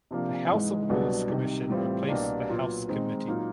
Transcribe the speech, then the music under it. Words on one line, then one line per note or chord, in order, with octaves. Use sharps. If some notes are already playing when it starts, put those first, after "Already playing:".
The House of Lords Commission replaced the House Committee.
C3 F3 A#3 D4
G#2 E3 G#3
C2 B2 F#3 B3 D4
C2 C3 D#3
A2 E3 G3 C4 F4
C2 B2 G3 A#3 D4
A#2 F#3 B3
D#3 G#3 C4 D#4
A#2 F#3 A#3 D#4